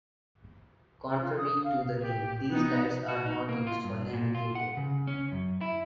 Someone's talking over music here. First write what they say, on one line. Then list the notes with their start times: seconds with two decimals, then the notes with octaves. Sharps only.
Contrary to the name, these lights are not used for navigating.
1.21 F4
1.37 D#6
1.64 F5
2.02 G4
2.50 B3 D#4
3.08 F#4
3.26 D#4
3.49 A#3
3.67 F4
3.84 G2
4.13 A#2
4.35 F4
4.55 F#5
4.77 C#3
5.07 C#4
5.32 F#2
5.61 E4